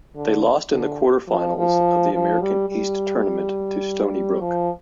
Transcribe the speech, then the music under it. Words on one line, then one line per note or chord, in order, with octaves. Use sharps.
They lost in the quarterfinals of the America East Tournament to Stony Brook.
D3
D3
F3
F3
F3
G3
G3
F3